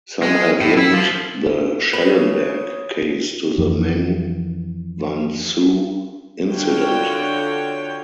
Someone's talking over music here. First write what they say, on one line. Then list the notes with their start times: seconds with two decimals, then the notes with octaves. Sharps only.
Some have linked the Schellenberg case to the Meng Wanzhou incident.
0.22 G#3
0.61 A2
0.77 E4
0.94 F3
1.93 C#3 B4
3.58 F2 E3
6.52 D3 F4 F#4 C#5 G5